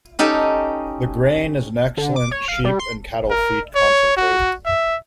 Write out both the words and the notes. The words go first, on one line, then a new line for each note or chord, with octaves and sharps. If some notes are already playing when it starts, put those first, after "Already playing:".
The grain is an excellent sheep and cattle feed concentrate.
C#4 D#4 G4 A4
D3
D6
C#5
F5
G3
C6
A#4
C#5
F#4
E5